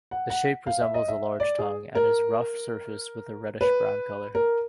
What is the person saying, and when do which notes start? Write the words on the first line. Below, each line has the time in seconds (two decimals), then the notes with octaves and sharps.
The shape resembles a large tongue, and it is rough-surfaced with a reddish-brown colour.
0.11 F#5
0.30 F#5
0.67 F5
0.81 E5
0.94 D#5
1.08 E5
1.40 D5
1.59 G#4
1.95 A#4
3.61 B4
4.35 A#4